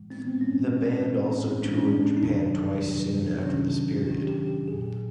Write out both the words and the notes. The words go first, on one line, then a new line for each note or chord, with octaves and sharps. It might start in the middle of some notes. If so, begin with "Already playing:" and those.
The band also toured Japan twice soon after this period.
Already playing: A2 E3 G#3
C4
B3
C4
A2 E3 G#3 C#4
A2 E3 G#3
A2 E3 G#3 D4
C#4
D4
D#4
F2 C3 D#3 F#3 D4
F2 C3 D#3 F#3
F2 C3 D#3 F#3 C#4
F2 C3 D#3 F#3 G4
G4
G4
A#2 F#3 G#4